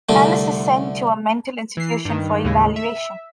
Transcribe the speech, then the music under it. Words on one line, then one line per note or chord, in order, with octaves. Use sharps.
Alice is sent to a mental institution for evaluation.
C2 D3 A3
E3 C7
G2 D#3
D#2 A2 C#3 G#3
E5